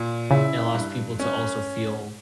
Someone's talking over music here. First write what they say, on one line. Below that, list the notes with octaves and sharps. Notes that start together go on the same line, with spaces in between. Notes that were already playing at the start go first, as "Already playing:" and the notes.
it allows people to also feel
Already playing: A#2
C#3 E4
G2
C#4